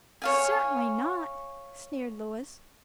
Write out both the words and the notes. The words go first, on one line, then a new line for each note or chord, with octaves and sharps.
"Certainly not," sneered Louis.
C#5 F5 G#5